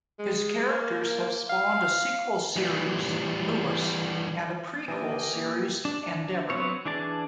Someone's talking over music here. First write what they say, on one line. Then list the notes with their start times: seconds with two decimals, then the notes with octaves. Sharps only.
His characters have spawned a sequel series, "Lewis", and a prequel series, "Endeavour".
0.19 G#3
0.69 A#3
0.94 A#3
1.49 F5
2.56 E3 G3
4.88 E3 A#3 D4 G4 D#5 G5 G#5
5.85 D4
6.50 F#3 B3 C4 C#5
6.86 E3 D4 G#4 D5 A5